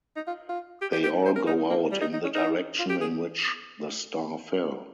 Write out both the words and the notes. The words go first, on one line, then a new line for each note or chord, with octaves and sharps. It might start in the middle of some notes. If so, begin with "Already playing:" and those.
They all go out in the direction in which the star fell.
D#4
F4
F4
G4
G4
G4
C5
A#4
D#4
A#3
G3
D#4
D#4
C#4
D#4
F4
G4
G#4